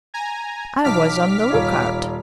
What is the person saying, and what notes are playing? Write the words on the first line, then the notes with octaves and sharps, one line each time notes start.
I was on the look-out.
G#5 A#5
B1 A5 D6 F6 B6
D#1 F4 C#5